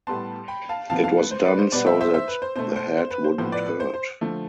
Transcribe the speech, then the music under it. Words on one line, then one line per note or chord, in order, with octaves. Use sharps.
It was done so that the head wouldn't hurt.
A2 G3 B3 A5 C6
G5 B5
F5 A5
C3 F3 B3 F5 A5
F5 A5
B4
C5
B4 D5
C5
B2 G3 B3 B4 D5
C5 E5
C5 E5
C5 E5
B4
C5
B2 A3 C5
C5
C5
B4
C5
A2 F3 B3 C5
B4 D5
B4
C5
C5
D3 F3 A3